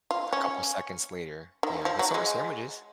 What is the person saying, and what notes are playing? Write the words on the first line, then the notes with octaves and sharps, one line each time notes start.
a couple seconds later, yeah, but so are sandwiches.
F4
C#4
D#3
F3
F#3
G#3